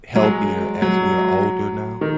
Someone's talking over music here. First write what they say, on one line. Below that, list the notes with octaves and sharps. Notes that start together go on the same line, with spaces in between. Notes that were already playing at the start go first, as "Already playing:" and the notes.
healthier as we're older now,
F#3
G#3
F#3
D#3